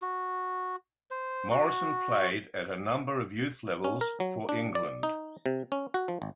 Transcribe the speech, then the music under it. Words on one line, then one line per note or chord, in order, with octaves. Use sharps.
Morrison played at a number of youth levels for England.
F#4
C5
F#4
C#4
A#4
F#3
D4
D5
D#4
C3
C#4
F#4
F3
G#1